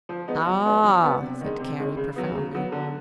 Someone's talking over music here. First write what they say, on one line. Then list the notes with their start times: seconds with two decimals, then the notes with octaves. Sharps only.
"Ah," said Carey profoundly.
0.09 F3
0.28 G#3 B3 D#4
0.47 F#3
0.65 B3 D4
0.84 F#3
1.03 B3 D4
1.22 C3
1.41 D#3 G#3
1.60 C3
1.78 D#3 G#3
1.97 C#3
2.16 F#3 B3
2.35 C#3
2.54 F#3 B3
2.72 D3